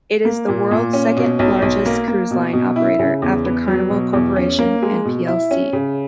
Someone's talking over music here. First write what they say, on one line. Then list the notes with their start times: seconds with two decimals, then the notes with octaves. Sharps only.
It is the world's second-largest cruise line operator, after Carnival Corporation and plc.
0.25 A#3
0.49 A#2
0.71 A#2
0.93 C#4
1.17 B2
1.39 B1
1.62 B1
1.86 A#3
2.08 A#3
2.31 B2
2.53 B2
2.76 E4
2.99 C#3
3.22 E2
3.45 B3
3.68 F#3
3.90 B2
4.13 E2
4.36 C#4
4.59 A#3
4.82 G#3
5.05 B2
5.27 E4
5.51 C#4
5.73 C#3